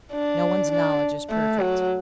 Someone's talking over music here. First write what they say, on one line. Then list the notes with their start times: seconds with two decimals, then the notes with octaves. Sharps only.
No one's knowledge is perfect.
0.13 D4
0.72 D4
1.30 A3
1.59 F#3